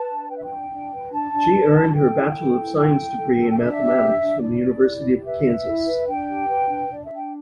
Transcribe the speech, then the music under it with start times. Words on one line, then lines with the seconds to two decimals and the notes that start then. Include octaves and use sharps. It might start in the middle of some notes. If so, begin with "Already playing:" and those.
She earned her Bachelor of Science degree in Mathematics from the University of Kansas.
Already playing: B4 A5
0.09 D4
0.29 B4 G5
0.37 E5
0.44 G5
0.50 D4
0.71 D4
0.91 B4
1.12 D4 A5
1.33 D4
1.53 B4
1.74 D4
1.94 A4 G5
2.15 E4
2.36 A4
2.56 E4
2.77 A4 G5
2.97 E4
3.18 A4
3.38 A4
3.50 G5
3.59 D4 E5
3.80 G4
4.01 D4
4.21 D4
4.42 E4 D5
4.62 E4
4.83 E4
5.04 G4
5.24 B4 E5
5.45 B4
5.66 E4
5.86 B4
6.07 D4 G5
6.27 G4
6.48 B4
6.69 D4
6.89 D4 D5
7.04 E5
7.10 D4
7.17 G5